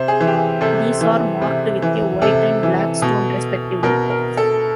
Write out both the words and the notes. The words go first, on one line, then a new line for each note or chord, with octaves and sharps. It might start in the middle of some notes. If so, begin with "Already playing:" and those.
These are marked with a white and black stone respectively.
Already playing: C3 C5
G#4
E3
G4
G#4
C3 A4
E3
C3
E3
C3 A4
E3
B2
B2 A#4
A#4
A4